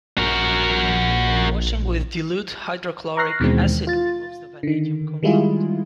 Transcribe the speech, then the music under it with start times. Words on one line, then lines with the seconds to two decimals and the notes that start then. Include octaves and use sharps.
Washing with dilute hydrochloric acid removes the vanadium compound.
0.18 A#1 F#4 A#4
3.17 A#5 C#6 F6 F#6 A#6 C7
3.40 D#2 B2 D#3 E3 G#3 C4
3.87 F4 A6
4.63 D3 D#3
5.23 D#3 G3 G#3 E4 F4 G#4